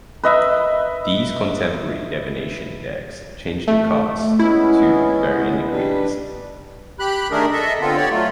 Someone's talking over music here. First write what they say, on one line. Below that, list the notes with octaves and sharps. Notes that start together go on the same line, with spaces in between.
These contemporary divination decks change the cards to varying degrees.
B4 D#5 E5
A3
G#3 B3 C#4 E4
G3 D4 B4
G4 B5 F#6
D#3 A3 D4 G#4 A#4
A4 D#5 E5
D3 B3 C4 F4 A4
G4 C#5 D5
F#3 A3 F4